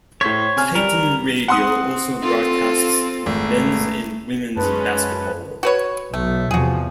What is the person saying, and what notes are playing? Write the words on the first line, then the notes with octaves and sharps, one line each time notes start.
Titan Radio also broadcasts men's and women's basketball.
A2 C5 C#5 B6
C3 G#5 F6
G3 A#4
C4 F#5 C6 D#6
C4 F4 A4
G#1 A3
F#2 G#3 C#4 B4 A5
F#4 B4 C#5
B1 A3
E2 C3 F3 F#4 G#4